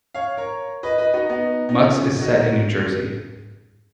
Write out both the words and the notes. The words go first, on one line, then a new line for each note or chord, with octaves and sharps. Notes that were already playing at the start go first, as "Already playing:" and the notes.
Mutts is set in New Jersey.
C#5 F5
A#4 C#5
B4 D#5
B4 D#5
D#4 F#4
B3 D#4
D#4
C#4 F4
D#4 F#4